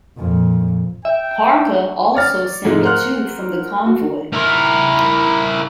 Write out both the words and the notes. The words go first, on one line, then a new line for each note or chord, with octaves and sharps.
"Parche" also sank two from the convoy.
F2 A#2
E5 G5
C#5 D5 F6 A6
G#2 C3 F3 G#3 A3
A#4 C5 F5 F#5 F6 F#6
F#4
E4 A#4